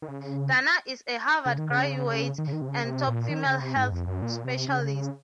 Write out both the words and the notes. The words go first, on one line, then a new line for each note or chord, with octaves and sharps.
Dana is a Harvard graduate and top female health specialist.
D#3
C#3
C#3
D#3
C#3
D#3
C#3
D#3
C3
C#3
C3
A#2
D#3
C#3
C3
G#2
F2
F#2
A#2
C3
C#3